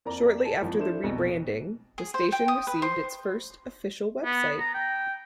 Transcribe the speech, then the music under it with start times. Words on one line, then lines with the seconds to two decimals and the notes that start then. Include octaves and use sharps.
Shortly after the rebranding, the station received its first official website.
0.05 F2 A#3 A#4 D5 A#5
0.44 G#5 A5
0.62 G#1 F3
0.79 D4 E4 A4 C5 E7
1.03 B1 F2 B2
1.98 G#4
2.14 C5
2.32 G5
2.48 D#6
2.67 B4
2.82 C5
4.25 B3
4.59 A#5
4.74 G5